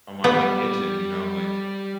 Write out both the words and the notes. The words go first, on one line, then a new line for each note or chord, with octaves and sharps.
I'm I'm like itching, you know? I'm like
G3 B3